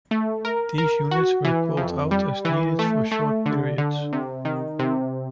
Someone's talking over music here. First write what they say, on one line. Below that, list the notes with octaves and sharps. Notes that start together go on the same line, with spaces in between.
These units were called out as needed for short periods.
A3
A#4
A#4
F#4
E3
F2
G3
E3
A3
A3
D3
D3
C3
D#3
C3